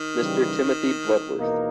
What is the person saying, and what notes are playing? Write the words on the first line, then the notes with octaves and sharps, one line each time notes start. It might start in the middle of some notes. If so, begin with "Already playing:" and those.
Mr. Timothy Bloodworth.
Already playing: D#3
C#3 E3 G3
E2 B2 A#3 D#4 A#4